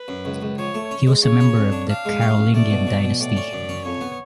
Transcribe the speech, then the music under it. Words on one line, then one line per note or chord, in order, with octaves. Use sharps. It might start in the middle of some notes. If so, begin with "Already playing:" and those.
He was a member of the Carolingian dynasty.
Already playing: B4
F#2
C#2
C#2
F3 C#5
A3
C#4
G#3
C#3 C#5
C#4
F2
D4
D4 F5
G#3
C#4
A1
A3 D5
B2
F#3
B2
A2 D5
C#4
F#2
C#4
F2 C#5
B3